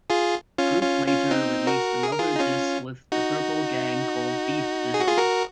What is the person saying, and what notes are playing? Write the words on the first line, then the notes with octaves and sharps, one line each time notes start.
Proof later released another diss with The Purple Gang called "Beef Is Ova".
F4 G#4
C#4 F4
C#4 F4
C#4 F4
C4 D#4
F#4 A#4
G#4
A#4
F4 G#4
D#4
C#4 F4
D#4 F#4
G#4
F#4
F4 G#4
F#4 A#4